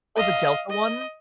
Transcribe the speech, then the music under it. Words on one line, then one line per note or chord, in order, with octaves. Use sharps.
Oh, the Delta one?
D#5 F5
D#5